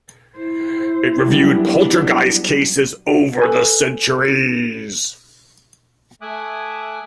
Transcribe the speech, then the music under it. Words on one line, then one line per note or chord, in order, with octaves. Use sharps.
It reviewed poltergeist cases over the centuries.
E4 C5
F#3 G3 B3 D4 G#4
A4 B4 G#5
A3 E5 G#5 D6 D#6 F#6